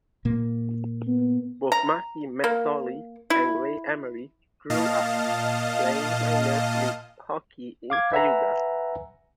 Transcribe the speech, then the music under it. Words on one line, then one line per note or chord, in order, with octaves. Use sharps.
Both Marty McSorley and Ray Emery grew up playing minor league hockey in Cayuga.
A#2 A#3
B3
A#5
A#3
E4
A#2 D#5 F5 A5
F5 D6 G#6
B4 E5 F#5 G#5 A#5